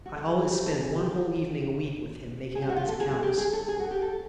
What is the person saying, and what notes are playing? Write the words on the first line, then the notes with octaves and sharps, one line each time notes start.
I always spend one whole evening a week with him making up his accounts.
F#4
A4
G#4
G#4
G4
A4
G#4
G4
G#4
G4
F#4
F4
A4
G#4
G#4
G4
G#4
A4
G#4
F#4
G4
A4